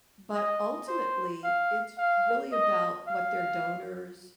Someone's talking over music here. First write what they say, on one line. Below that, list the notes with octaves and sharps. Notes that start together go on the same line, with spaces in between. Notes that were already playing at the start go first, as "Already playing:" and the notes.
but ultimately it's really about what their donors
D#5
C5
F5
F5
D#5
F5